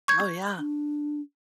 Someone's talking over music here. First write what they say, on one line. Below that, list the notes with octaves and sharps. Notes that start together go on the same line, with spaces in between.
Oh, yeah.
C#6 G6 G#6
D4